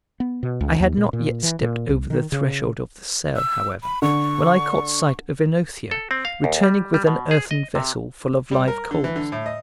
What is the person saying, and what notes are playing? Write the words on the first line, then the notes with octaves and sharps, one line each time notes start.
I had not yet stepped over the threshold of the cell, however, when I caught sight of OEnothea returning with an earthen vessel full of live coals.
B3
B2
C#2
D#2
A#2
A#2
E3
A#2
C2
D#3
C#3
E6
B5
D3 C#6
A4
C4
F5
D#2
G3
G3
B2
G#4
D#5
C3
G3
A#4
D3
E3
D3
A2
D#5